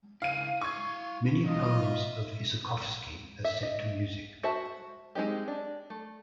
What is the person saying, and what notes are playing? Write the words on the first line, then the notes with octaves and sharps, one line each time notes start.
Many poems of Isakovsky are set to music.
C#3 E4 F5 D#7
E4 F5 C#6 G#6
F#3 A3 F4 D#5
E5
E5
D#5
F#4 C5 E5 A5
G#3 C4 D#4 G4
D4
A3